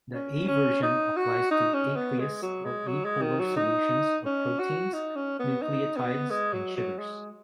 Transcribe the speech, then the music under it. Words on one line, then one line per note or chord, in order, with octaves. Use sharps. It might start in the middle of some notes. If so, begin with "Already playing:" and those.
The A-version applies to aqueous or apolar solutions of proteins, nucleotides, and sugars.
C#4
C#4
D#4
F#4
D#4
C#4
B3
G#3
F#3
G#3
F#3
G#3
D#3
F#3
D#4
C#4
F#4
D#4
C#4
B3
D#4
B3
G#3
F#3
F#3
G#3